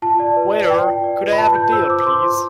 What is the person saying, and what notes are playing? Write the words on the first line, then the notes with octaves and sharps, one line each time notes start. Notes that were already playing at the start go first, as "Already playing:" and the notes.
Waiter, could I have the bill please?
F4 A5
D5
B4
D5
D5 G5
F4
D5
B4
B5
F4 A5
F4 G6
C5 E6
F4 D6
C5 C6
F4